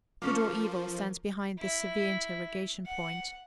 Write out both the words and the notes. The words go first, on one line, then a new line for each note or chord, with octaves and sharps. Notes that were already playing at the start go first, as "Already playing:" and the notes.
Good or evil stands behind this severe interrogation point.
F3 A#3 C#4 A4
E4
F#5